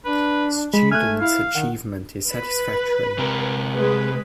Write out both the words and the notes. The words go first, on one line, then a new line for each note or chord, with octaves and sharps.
Students' achievement is satisfactory.
D4 B4
G#3 B5
A3 G#5 F6 F#6
E4 F5
D#3 F#5
B4
C3 C4 A#4
G#3 B4